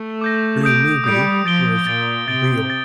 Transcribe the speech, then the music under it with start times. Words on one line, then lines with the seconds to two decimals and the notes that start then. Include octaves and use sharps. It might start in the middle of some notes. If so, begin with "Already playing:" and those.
"Blue Movie" was "real".
Already playing: A3
0.21 D6 G6 A#6
0.63 D#6 G6 D7
1.04 G3 D#6 G6 D7
1.45 F3 A6 D7 G7
1.86 A#2 A6 D7 G7
2.28 C3 A6 D7 G7
2.70 A6